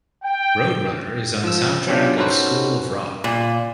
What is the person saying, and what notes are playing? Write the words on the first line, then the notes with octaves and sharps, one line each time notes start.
"Roadrunner" is on the soundtrack of "School of Rock".
G5
F3 E6
F#3 B3 C#4 D4 F4 G4
C#4 D#4 F#4 A4 B4 C5
A#2